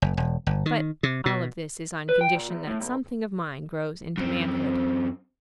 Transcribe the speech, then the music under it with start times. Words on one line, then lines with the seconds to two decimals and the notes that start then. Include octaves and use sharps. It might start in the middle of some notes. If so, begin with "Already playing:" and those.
But all of this is on condition that something of mine grows into manhood.
0.02 F#1
0.17 E1
0.47 G1
0.66 D#3
1.03 C3
1.26 B2
2.09 B4
2.21 G5
2.35 A#2
2.50 E2
2.67 A2
2.80 B1
4.18 F#2 C4